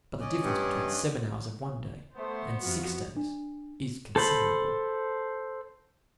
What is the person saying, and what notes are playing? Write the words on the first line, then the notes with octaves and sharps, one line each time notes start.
But the difference between seven hours of one day and six days is considerable.
C#4 D5 D#5
G2
A3 B3 C5
F2 C3 F4 F#4
D4
A4 C5 B5